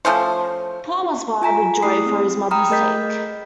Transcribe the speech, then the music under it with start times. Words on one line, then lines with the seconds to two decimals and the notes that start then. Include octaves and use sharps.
Paul was wild with joy for his mother’s sake.
0.05 F3 A3 C#4 C5
1.42 F4 G#5 A#5 B6
1.83 A3 E4 G#4 D#6 C7
2.06 C4
2.51 G5 A#5 B5 D#6 F6
2.70 A3 G#4 A#4 D#5 G6 B6